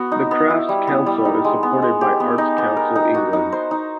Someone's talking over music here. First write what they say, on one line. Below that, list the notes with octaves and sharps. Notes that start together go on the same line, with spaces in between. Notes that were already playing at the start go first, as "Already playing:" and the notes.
The Crafts Council is supported by Arts Council England.
Already playing: B3 F#4
D#4
B3
E4
G3
B3
G3
D#4
G#3
B3
G#3
G4
B3
D#4
B3
A#4
D#4
F#4
D#4
C5
D#4